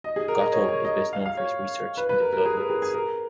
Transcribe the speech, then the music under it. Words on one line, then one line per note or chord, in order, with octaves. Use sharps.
Gotto is best known for his research into blood lipids.
D#5
G#4
A#4
D#5
C#5
C#5
D#5
F5
F5
C#5
B4
B4
A#4
A#4
G#4
A#4
G#4
G#4
A#4